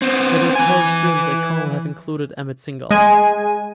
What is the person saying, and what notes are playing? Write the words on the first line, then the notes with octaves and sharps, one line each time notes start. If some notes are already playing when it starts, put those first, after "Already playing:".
Her doctoral students at Cornell have included Amit Singhal.
B3 C4
E3 G#5
G#3 G#5